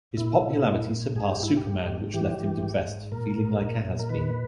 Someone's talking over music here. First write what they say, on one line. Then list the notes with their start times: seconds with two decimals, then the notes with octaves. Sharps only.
His popularity surpassed Superman which left him depressed, feeling like a has-been.
0.17 A#2 E4
0.42 A#2
0.67 A#2
0.91 A#2
1.15 G#2 G#4
1.30 G4
1.40 G#2 E4
1.57 G4
1.65 G#2
1.89 G#2
2.14 E3 G4
2.38 E3
2.63 G#2
2.87 G#2
3.12 A#2 A#4
3.36 A#2
3.61 A#2
3.85 A#2
3.99 A#4
4.09 D#3 B4